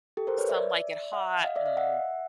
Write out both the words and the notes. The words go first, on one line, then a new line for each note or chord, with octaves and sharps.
Some Like It Hot, and
G4 A4
A#4 C5
B4 C#5
D5 E5
E5 F#5
D#5 F5
D5 E5
D#5 F5
E5 F#5